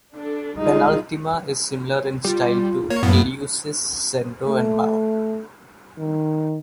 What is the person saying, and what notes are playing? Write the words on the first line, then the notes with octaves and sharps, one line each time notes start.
Penultima is similar in style to Eleusis, Zendo and Mao.
D4 A4
G3 G#3 D#4 F4
G3 F4
A#3 C#5
F#2 A2 B3
A3
D#3